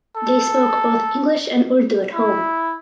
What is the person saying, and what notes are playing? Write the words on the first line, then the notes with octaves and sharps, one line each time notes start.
They spoke both English and Urdu at home.
A4
E4